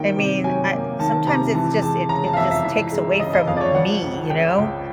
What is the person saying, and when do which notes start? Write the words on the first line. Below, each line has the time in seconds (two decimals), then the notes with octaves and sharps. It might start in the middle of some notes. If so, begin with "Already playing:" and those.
I mean, I sometimes it's just it it just takes away from me, you know?
Already playing: D#3 F#3 A#3 G5
0.16 C3
0.44 F#3 G#5
0.72 A#3
0.99 D#3 A5
1.27 C3 A#5
1.54 E3 A5
1.82 G#3 A5
2.09 C#3 A#5
2.24 A5
2.33 F5
2.37 F2 E5
2.51 E5
2.64 E3 E5
2.92 G#3
3.20 C#3 D#5
3.33 D#5
3.47 F2 F5
3.57 D5
3.61 C#5
3.75 F3 F#5
4.02 C#2
4.30 C#3 G5
4.58 C#2